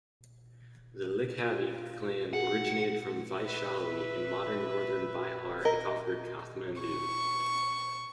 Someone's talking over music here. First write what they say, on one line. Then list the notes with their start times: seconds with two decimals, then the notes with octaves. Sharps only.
The Licchavi clan originated from Vaishali in modern northern Bihar and conquered Kathmandu.
1.50 F4
2.33 F#4 G#4 F#5
3.44 B4 E5
5.65 A#4 D#5
6.82 C#6